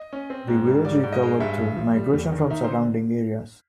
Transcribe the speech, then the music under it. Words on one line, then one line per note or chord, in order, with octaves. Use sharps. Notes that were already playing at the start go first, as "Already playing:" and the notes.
The village recovered through migration from surrounding areas.
Already playing: D#5
C#4
C4
G#2
G3
G#2 D5
G#2
D#5
G#3
G2 E5
G2
F3
G3
E2
D#3
D#4 E5
D3 C5